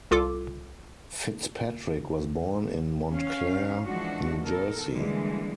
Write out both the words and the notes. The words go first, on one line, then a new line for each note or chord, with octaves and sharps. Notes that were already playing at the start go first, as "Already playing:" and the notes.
Fitzpatrick was born in Montclair, New Jersey.
C2 F4 A4 D6
C#4 F5
E3 F3 G#3 D4 F#4
B2 A4 A#4
D3 E3 G3 G#3 A#3